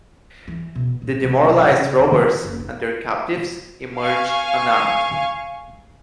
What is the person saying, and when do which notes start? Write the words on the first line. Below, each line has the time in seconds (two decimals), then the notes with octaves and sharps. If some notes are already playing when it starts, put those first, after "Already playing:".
The demoralised robbers and their captives emerged unharmed.
0.48 E3
0.75 B2
1.02 A2
1.23 C3
1.44 F#3
1.69 C#3
2.00 E3
2.44 F#1
2.60 D#4
3.97 F5 G#5 C#6